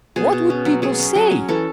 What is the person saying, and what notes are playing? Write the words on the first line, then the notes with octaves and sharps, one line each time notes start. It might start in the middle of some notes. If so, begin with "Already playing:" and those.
What would people say?
B2 G#4
B2
C#4
F#3
F#3 G#4
C#4
F#3
C#4
E3 A4